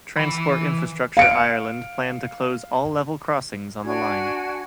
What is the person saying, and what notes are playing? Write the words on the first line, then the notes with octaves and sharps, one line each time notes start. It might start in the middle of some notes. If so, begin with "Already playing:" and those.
Transport Infrastructure Ireland planned to close all level crossings on the line.
E3 B5
F5 C#7 D7
D4 F#4 G#5 G#6